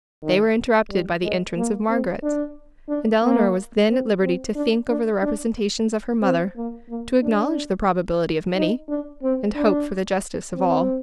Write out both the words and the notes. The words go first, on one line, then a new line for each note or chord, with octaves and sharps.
They were interrupted by the entrance of Margaret; and Elinor was then at liberty to think over the representations of her mother, to acknowledge the probability of many, and hope for the justice of all.
D#3
G3
G#3
A#3
C4
D4
D4
A#3
C4
C4
D4
D4
D4
C4
A#3
A#3
D4
D#4
D4
C4
D4
C4